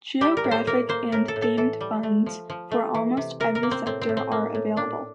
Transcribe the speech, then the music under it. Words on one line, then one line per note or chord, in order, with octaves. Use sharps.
Geographic and themed funds for almost every sector are available.
G3 G4
A#4
A2
C5
A#3 A#4
A#3 C5
A2 A#4
A4
A2
A4
E3 A4
G3
A3
F3
F3
A3
E3
C3
C3 A#4
A#4
A#3
C4
A2 C4
C4
A2
C4
A#3
A2
A#2 D4